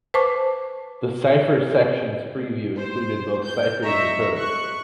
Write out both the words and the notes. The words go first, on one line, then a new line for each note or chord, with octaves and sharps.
The "Cipher" Section's purview included both ciphers and codes.
B4 C5 A5 C#6 D6
C5
G6
D#5 E5 A#5 C#6
C#6 F#6